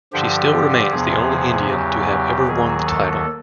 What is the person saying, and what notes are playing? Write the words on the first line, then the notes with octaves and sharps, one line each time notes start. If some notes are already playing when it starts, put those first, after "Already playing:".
She still remains the only Indian to have ever won the title.
G2 D3 F3 G4
E2 C3 F3 G#4
E2 C#3 F#3 G4
G4
D#2 D#3 F#3 G#4
A4